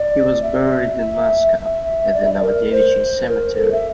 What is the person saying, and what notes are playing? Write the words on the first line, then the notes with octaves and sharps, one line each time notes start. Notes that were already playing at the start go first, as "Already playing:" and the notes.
He was buried in Moscow, at the Novodevichy Cemetery.
Already playing: D5
E5
E5
E5
D5
E5
D5
A#4
C5
A#4
A4
E5